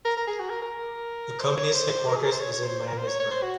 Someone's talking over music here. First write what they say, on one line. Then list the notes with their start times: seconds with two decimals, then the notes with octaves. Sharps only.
The company's headquarters is in Miamisburg.
0.05 A#4
0.17 A#4
0.27 G#4
0.40 F#4
0.50 A#4
0.62 A#4
1.40 C5
1.57 C#5
1.74 C5
1.90 C5
2.07 A#4
2.16 G#4
2.24 A#4
2.32 C5
2.41 C#5
2.52 C#5
2.64 C5
2.87 A#4
2.98 C5
3.08 C#5
3.20 C#5
3.31 C5
3.43 F#4